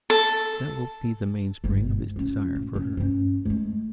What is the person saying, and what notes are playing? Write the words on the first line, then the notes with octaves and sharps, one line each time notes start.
And that will be the mainspring of his desire for her.
A4
G1 G#2
C#4 F4
A2
F#2 G3
G2 C#4
G#3 A3